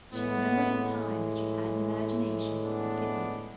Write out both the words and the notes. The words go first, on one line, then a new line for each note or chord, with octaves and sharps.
But she remembered in time that she had an imagination and could use it.
A2 E3 G#3 B3
B3 D4